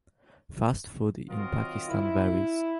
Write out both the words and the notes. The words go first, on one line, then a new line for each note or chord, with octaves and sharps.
Fast food In Pakistan varies.
D#3 F#3 C4 F4 A#4 D#5
E4